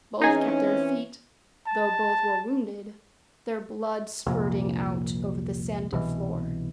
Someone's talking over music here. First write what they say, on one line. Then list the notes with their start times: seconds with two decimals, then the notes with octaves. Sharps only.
Both kept their feet, though both were wounded--their blood spurting out over the sanded floor.
0.21 E3 C4 C#4 D#4 G#4
1.66 A5
4.27 C2 F2 A#2
5.92 C2 B2 E3